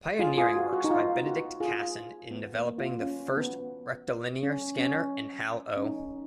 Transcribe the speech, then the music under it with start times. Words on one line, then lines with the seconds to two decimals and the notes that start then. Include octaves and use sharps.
Pioneering works by Benedict Cassen in developing the first rectilinear scanner and Hal O.
0.19 F4 G#4
0.38 F4 G#4
0.56 F#4
0.73 F#4
0.84 D#4
0.91 F4
1.26 F#4
1.60 F4 G#4
2.31 B3
2.55 A#3
2.78 F4
3.01 C#4
3.37 B3
4.43 C#4
4.79 C#4
5.77 C#4
5.84 D#4